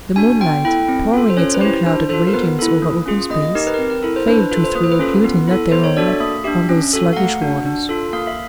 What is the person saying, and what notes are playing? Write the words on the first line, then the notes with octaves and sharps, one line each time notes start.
The moonlight, pouring its unclouded radiance over open space, failed to throw a beauty not their own on those sluggish waters.
D4 F#4 G#5
B3 G5
E4 A4 G5
C4
F4 A4
C5
C#4 C#5
B4
E4 G4 C5
D4 C5
F4 A4 C5
A#4
B3 B4
E4 A4
A#3
C#4 F4 G#4
A#3 D#5
D#5
D#4 G4 A#4
B4
A#4
C4
A#4
E4 A4
C5
D4 B4
B4
F4 A4 B4
C5
A#3 B4
C5
B4
C#4 F4 A4
B3
E4 A4
B3 C5
C#5
D4 F#4 A4 D5
E5
A#3 E5
D4 G4 E5
C#4
F#4 A4
F5
A3 F#5
D4 F#4
D4
F4 A4
A#3 F5
E5